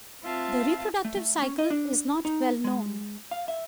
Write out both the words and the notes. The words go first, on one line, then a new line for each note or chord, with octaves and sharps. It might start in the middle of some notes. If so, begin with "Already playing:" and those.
The reproductive cycle is not well known.
C4 F4 E5 F5 A5
A3
A3
C#4
D#5
D4
D#4
G#3
F5
E5